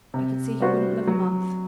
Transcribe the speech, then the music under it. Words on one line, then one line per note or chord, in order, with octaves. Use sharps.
I could see he wouldn't live a month.
C3
G3 B3 F#4 C5
F#3